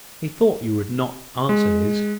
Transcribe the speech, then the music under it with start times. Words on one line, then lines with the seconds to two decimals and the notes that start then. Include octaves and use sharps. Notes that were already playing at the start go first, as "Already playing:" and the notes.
He thought you would not answer his.
1.49 G#3